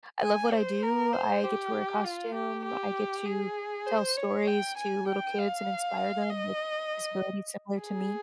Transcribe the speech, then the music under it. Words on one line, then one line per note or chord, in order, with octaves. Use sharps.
I love what I do, I get to wear a costume, I get to tell stories to little kids and inspire them with disabilities similar to me
G#5
C5
A#4
C5
G4
F4
G4
G4
G#4
C5
C#5
G5
G#5
G5
F5
D#5
G#4